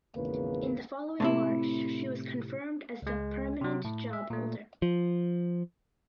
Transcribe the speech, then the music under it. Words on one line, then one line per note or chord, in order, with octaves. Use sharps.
In the following March she was confirmed as the permanent job holder.
G#1 E2 C#3 A#3 B4
A2 C3 E4
C#2 G#3
C3 F#3
A2
E5
A#2 A3
F3